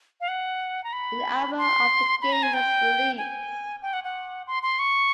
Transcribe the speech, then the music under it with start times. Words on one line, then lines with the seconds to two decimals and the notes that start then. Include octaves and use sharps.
An alpha of the game was released.
0.21 F5
0.28 F#5
0.84 A#5
0.93 B5
1.58 C6
2.22 B5
2.32 A#5
2.43 G#5
2.54 G5
3.18 G#5
3.82 G5
3.93 F#5
4.04 F#5
4.47 C6
4.63 C6
4.79 C#6